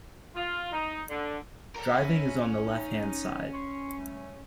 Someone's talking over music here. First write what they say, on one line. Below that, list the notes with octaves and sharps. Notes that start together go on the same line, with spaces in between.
Driving is on the left-hand side.
F4
D#4
D3
A4 A#4 C#5 D5 F#5
C#4 E5 A#5 B5
D#4
C6 C#6
G3 A3